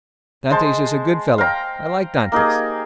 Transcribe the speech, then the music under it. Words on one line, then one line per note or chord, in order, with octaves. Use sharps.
Dantes is a good fellow; I like Dantes.
G#3 C5 A5
F5 G5 A#5
A#3 D#4 G4 G#4